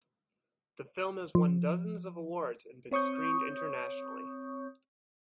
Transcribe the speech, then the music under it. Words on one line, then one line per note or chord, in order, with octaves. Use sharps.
The film has won dozens of awards and been screened internationally.
F3
C4 C#5 C#6 D#6 G6